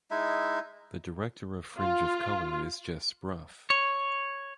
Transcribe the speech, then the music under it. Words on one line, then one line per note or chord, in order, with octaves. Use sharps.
The director of Fringe of Colour is Jess Brough.
G#3 D#4 E4 E5
F4
C#5